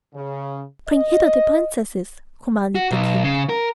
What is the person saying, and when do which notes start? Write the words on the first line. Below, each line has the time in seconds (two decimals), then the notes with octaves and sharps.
"Bring hither the princesses," commanded the King.
0.15 C#3
0.88 D#5
2.75 F#4
2.91 B1
3.24 C#3
3.49 A#4